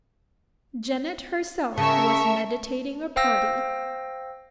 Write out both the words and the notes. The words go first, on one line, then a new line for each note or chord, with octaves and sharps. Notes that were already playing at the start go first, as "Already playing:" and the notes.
Janet herself was meditating a party.
C#3 A#4 E5 A5 C#6
C5 F5 G5 E6 A#6